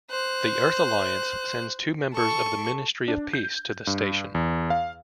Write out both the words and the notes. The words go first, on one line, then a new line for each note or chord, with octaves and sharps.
The Earth Alliance sends two members of the Ministry of Peace to the station.
C5 F#6
A4 C#6
D4
G6
G2
E2
F5